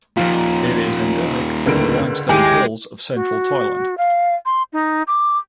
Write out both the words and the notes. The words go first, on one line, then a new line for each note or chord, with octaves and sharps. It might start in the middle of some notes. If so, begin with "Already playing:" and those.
It is endemic to the limestone hills of central Thailand.
D#2 A#2 F3 F4
C#2 D3 A#4 B4 D7
D#2 G#3 E4 G4 G#4 G#5 D6
F#4
F5
C6
D#4
D6